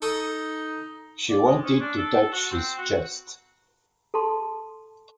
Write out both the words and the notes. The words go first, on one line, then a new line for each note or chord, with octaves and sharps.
She wanted to touch his chest.
D#4 A4 C#6 D#6
D5
G#3
C#4
D4
A4
F#4
C4
F#4
A4 A5 C6